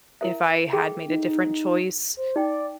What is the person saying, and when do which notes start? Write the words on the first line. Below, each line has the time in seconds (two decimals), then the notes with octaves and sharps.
if I had made a different choice,
0.21 E4 A#4 E5
0.73 G#4 A4 G5
1.08 D#4
2.17 C5
2.36 D#4 D5 G5